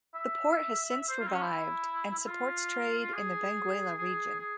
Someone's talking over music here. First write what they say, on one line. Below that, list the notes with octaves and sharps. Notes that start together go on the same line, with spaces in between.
The port has since revived and supports trade in the Benguela region.
E5
C5
F4
C4
C#4
E4
E4
F4
G#4
G#4
G#4